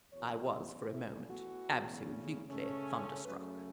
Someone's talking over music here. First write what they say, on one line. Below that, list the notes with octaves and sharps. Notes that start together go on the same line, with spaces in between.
I was for a moment absolutely thunderstruck.
E2 B2 F#3 C#4 C#5
E2 E3 A3 E4
F#4
E2 C#3 A3
C#3 A3 C#4
F#2 C#3 A3 C#4 B4